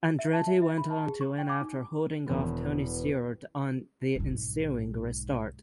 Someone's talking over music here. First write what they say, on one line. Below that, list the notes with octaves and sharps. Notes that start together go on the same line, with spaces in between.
Andretti went on to win after holding off Tony Stewart on the ensuing restart.
E5
A5
E5
E5
B5
A5
G#4
C#6
G5
D6
D#4
E1 B3
B1 G#2